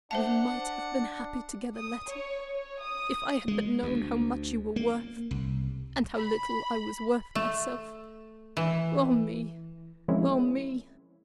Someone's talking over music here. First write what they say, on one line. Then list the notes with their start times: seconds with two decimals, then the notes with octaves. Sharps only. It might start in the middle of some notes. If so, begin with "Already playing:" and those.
"We might have been happy together, Letty, if I had but known how much you were worth, and how little I was worth myself!--Oh me! oh me!"
0.11 D4 C5 E5 F#5 A5
1.75 D#6
2.09 C#5
2.51 C#5
2.82 D#6
3.48 G#3
3.83 D2
4.76 A#3
5.31 C2
6.15 B5
7.35 A3
8.57 E3
10.08 F3 G#3 A#3 C4 C#4 E4